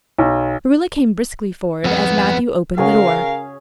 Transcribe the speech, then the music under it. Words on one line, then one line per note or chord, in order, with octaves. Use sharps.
Marilla came briskly forward as Matthew opened the door.
B1
F2 B3
C#3 C#4 F#4 G#4 A#4 F5